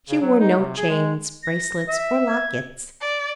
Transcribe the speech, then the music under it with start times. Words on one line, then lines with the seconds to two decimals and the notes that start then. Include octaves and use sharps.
She wore no chains, bracelets or lockets.
0.09 C#3
0.22 F#3
0.40 D#4
0.58 C3
0.77 G#4
0.89 G#3
1.43 A#6
1.88 E5
2.28 G#6
3.01 D5